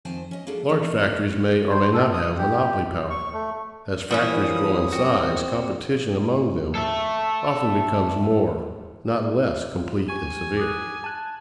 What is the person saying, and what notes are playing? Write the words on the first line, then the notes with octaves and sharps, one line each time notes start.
Large factories may or may not have monopoly power; as factories grow in size, competition among them often becomes more, not less, complete and severe.
F2 D#3 C4 C5 G#5 A5
C#4 D#5
A#3 B3 D4 F#4 G#4 A4
E3 A3 C4 F4 A4
C5
A4
D#6
G4
C#6
A3
E3 F3 G3 A#3 C#4 F#4 D#6
C4 F#4
A4 E5
F4
G4 G#5 C#6
D6 D#6 F#6
A5 F#6